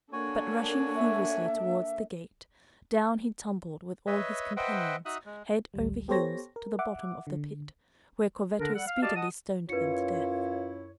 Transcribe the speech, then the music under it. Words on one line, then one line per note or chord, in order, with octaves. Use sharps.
But rushing furiously towards the gate, down he tumbled with all his companions, head over heels to the bottom of the pit, where Corvetto speedily stoned them to death.
A#3 D4 F#4 A4 C#5 G#5
E5
B4 C#5 D#5 E5
B4 C5 D#5 E5 F#5 G5
D#4 F#4 E5 D#6 F#6
G#3
A1 D2 G3
B3 G4 A4 C5 C#5 A#6
A#4
E5 F#5 D6
D3
D3 D4 A#4
G3 A4 F#5
F5
F#4 G4 D5 D#5 F5 A5
D#5 F#5 A5 D#6
F#2 E4 F4 B4 C#5 C#7